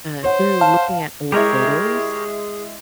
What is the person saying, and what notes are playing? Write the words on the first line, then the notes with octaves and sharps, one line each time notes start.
uh through looking at old photos,
C5 C#5 F#5
F5 A5
G#3 E4 G4 G#4 A#4 C#5